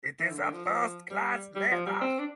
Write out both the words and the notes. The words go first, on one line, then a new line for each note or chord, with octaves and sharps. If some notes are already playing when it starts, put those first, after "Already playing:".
It is a first-class lever.
E3
D3
D3
F3
F3
G3
G3
F3
G3
C4
D4